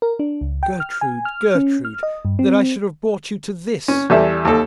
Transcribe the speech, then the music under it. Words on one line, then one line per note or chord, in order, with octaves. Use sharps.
'Gertrude, Gertrude--that I should have brought you to this!'
A#4
D4
C#2
G5
F6
G#5
F6
C#4
F6
D#5
G2
C4
C#4
E2 G3 A4 E5
D#2 A4